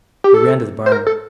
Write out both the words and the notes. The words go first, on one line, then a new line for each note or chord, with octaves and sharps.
We ran to the barn.
G4
A4
C5
A#4
A4